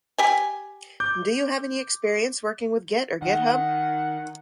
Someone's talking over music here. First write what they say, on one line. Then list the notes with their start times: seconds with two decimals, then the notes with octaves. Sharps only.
Do you have any experience working with git or github?
0.18 G4 G#5
1.00 D6 G6
3.22 D#3 F#5